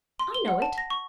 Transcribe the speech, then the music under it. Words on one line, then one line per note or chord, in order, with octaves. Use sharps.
"I know it."
C6
G7
F#5
A5
A#6
C#6